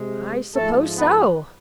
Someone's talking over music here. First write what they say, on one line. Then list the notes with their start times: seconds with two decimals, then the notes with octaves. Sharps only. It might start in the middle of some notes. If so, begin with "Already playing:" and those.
'I suppose so.
Already playing: C3 G#3
0.55 G#2 F3 G#3 A3 A4
0.97 B3 B4